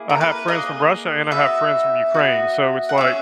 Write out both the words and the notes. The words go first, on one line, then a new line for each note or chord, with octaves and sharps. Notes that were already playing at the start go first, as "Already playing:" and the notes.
I have friends from Russia, and I have friends from Ukraine. So it's like
Already playing: A#3 E4 G#4
A#4
B4
A#3 E4 G#4 D#5
B3 D#4 F#4 E5
B3 D#4 F#4
F#5
C#4 E4 G#4 E5